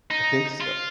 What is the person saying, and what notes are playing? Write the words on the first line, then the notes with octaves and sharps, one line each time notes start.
I think so
D#4
F4